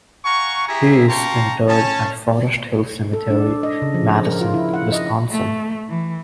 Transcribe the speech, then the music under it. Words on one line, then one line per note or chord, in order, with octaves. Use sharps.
He is interred at Forest Hill Cemetery, Madison, Wisconsin.
F5 F#5 G#5 A#5 C#6
E4 G4 G#4 E5 G#5 A#5
F5 G5 A5 A#5 C6 C#6
C#4 A5
A4
D4
D#5
C#3
F3
A#4
F4
E4
F#5
D#5
A3
E3